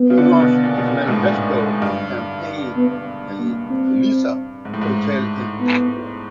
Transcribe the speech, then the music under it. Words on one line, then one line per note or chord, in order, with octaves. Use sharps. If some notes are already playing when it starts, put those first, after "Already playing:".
He launched his manifesto and campaign at the Alisa Hotel in Accra.
Already playing: B3
C#3
D3
B2
A#2
B2
A#2
G#2
A2
G#2
G#2
G2
B3
A#3
C4
G#2
A2
G#2
B3